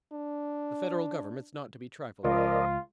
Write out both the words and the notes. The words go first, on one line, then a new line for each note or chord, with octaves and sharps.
The Federal Government's not to be trifled with.
D4
C#2 F3 F4 A#4 D5 D#5